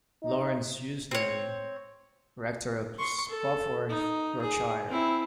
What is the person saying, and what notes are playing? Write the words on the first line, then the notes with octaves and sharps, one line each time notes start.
Laurence Eusden, rector of Spofforth, Yorkshire.
D#4
C4 C#5
C6 C#6
A4
D#4
G#4
C4 E4